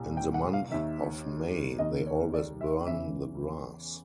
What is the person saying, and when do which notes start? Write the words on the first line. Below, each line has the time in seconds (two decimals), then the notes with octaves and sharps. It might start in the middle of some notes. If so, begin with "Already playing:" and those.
In the month of May they always burn the grass.
Already playing: C2 A#2
0.17 G5
0.34 F#5
0.53 F5
0.70 D#2 D#3 E5
1.79 D#2 D#3 D#5
2.06 C#5
2.34 D5
2.61 E5
2.87 E2 C#3 E3 E5